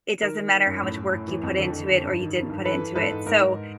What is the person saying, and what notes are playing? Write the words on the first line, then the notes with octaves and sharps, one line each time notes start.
it doesn't matter how much work you put into it or you didn't put into it, so
D#3 A#4
D#3
D#3
F#2
A2
A2
A2
E3
F2
D3
D3
D3
G2
D#3
D#3
G2
E3 A4 B4
E3
G#2 A4 B4
G#2
G#2 A#4
G#2